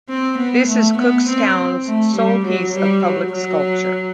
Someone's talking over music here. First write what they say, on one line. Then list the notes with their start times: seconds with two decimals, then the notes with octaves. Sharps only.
This is Cookstown's sole piece of public sculpture.
0.09 C4
0.38 B3
0.68 A3
0.98 B3
1.28 C4
1.86 A3
2.15 G3
2.45 F#3
2.75 G3
3.04 F#3
3.33 F#3